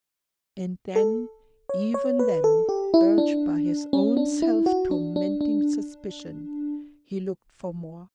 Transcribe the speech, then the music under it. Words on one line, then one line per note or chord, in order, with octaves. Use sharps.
And then--even then--urged by his own self-tormenting suspicion, he looked for more.
A4
C#5
C#5
B4
A4
G4
E4
D4
C#4
D4
E4
F#4
D4
D4
D4